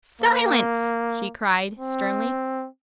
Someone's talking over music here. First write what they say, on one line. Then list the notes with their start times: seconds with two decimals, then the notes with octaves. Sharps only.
"Silence!" she cried, sternly.
0.21 A#3
1.79 C4